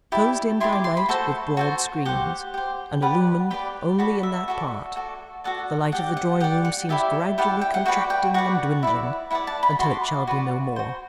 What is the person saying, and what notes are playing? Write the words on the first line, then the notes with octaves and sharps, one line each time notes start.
Closed in by night with broad screens, and illumined only in that part, the light of the drawing-room seems gradually contracting and dwindling until it shall be no more.
E4 G4 D5
E4 G4 D5 C6
D6
C6
B5
F#4 A4 C5 A5
F#4 A4 C5
G4 C5 F#5
G4 C5
G4 B4 D5 F#5
G4 B4 D5 B5
F#4 A4 D5 B5
E5
F#4 A4 D5
F#4 A4 D5
F#4 A4 D5 F#5
G4 D5 F#5
F#5
G4 D5 F#5
F#5
E4 G4 D5 E5
E4 G4 D5 F#5
G5
F#5
F#4 B4 D5 G5
G5
F#4 B4 D5 F#5
E4 B4 D5
E4 B4 D5 F#5
A5
B5
F#4 B4 D5 C6
D6
F#4 B4 D5
F#4 C5